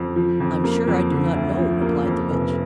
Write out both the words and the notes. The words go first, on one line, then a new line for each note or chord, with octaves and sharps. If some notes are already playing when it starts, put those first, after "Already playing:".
"I'm sure I do not know," replied the Witch.
Already playing: F2
F3
F2
A#3
F2
D3
D2
F3
A#3
F2
F1